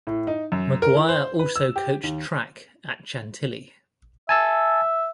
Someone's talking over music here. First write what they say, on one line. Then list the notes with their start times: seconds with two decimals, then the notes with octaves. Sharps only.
McGuire also coached track at Chantilly.
0.07 A2
0.27 D#4
0.52 F#2
0.82 A#4
0.95 E4
1.09 C5
1.39 B4
1.56 E6
1.76 G4
2.03 D#2
4.29 E5 G#5 A5 E6